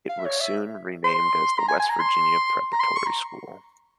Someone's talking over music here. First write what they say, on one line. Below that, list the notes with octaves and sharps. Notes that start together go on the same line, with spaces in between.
It was soon renamed as the West Virginia Preparatory School.
F5
E5
C#5
E5
C6
A#5
G#5
G#5
A#5
C6
A#5
C6
C#6
A#5